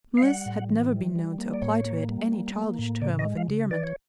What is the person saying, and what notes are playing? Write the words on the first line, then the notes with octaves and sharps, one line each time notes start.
Mliss had never been known to apply to it any childish term of endearment.
F5
G3 F#5
A2
E3
G3
G3
A#3
D5
A2 C#5
A#3
G3
A#3
A#3
A2
C#3 D5
D#5
G#3
F5
C#3
E3 D5
C#5